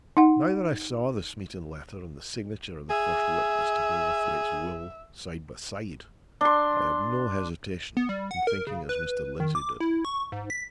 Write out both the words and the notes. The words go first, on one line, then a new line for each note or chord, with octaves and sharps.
Now that I saw the Smeaton letter and the signature of the first witness to Gilverthwaite's will, side by side, I had no hesitation in thinking as Mr. Lindsey did.
D#4 F#5
G#4 E5
D4 C6
B3
G3
F#5
A#4
C#3
B4
D#3
D6
E4
C#6
G#2
B6